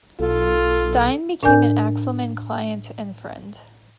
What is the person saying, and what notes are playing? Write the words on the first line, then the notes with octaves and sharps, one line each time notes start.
Stein became an Axelman client and friend.
B1 F4 A4
A2 D4 A#4 D5 G#5 G6